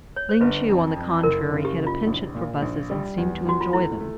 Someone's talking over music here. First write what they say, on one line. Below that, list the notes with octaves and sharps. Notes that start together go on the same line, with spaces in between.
Ling Chu on the contrary had a penchant for buses and seemed to enjoy them.
C#5
C5
G1 B4
F2
F2
F#1 A#4
C#3
G4
F#1
F4
A#1
A#2
A#1
G3
E2
E2 F#4
F4
A3 E4
A3